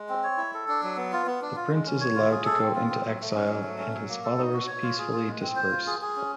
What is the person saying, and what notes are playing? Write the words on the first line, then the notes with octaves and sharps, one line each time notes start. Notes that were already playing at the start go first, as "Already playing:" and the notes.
The Prince is allowed to go into exile, and his followers peacefully disperse.
Already playing: G#3
C4
C#5
E4
A4
D4
F#3
B3
F4
B3
D4
F4
G#3
C#4
C#5
F4
G#4
A4
C4
F4
C4
F#3
A3
C#4
F#3
A3
C#4
F#3
A#3
A4
D#4
F#4
C#5
F4
G#4
F4
G#3
C4
C5
F4
G#4
G#4
C#4